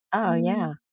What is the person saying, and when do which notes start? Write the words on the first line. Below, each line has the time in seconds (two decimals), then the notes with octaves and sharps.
Oh, yeah.
0.24 A#3